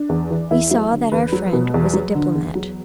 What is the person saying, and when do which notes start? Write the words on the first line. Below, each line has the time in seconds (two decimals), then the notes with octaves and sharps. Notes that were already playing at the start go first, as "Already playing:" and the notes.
We saw that our friend was a diplomat.
Already playing: D4
0.09 E2
0.30 E3
0.51 E2 E4
0.70 F#3 E4
0.92 D3
1.12 E2 B4
1.32 F#3
1.53 B2
1.74 E2
1.94 F#3
2.15 D3
2.35 E2
2.55 F#3